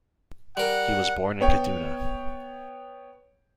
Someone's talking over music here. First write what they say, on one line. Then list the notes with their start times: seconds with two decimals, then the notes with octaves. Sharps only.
He was born in Kaduna.
0.57 G3 A#4 F#5
1.41 B3 C#5 G5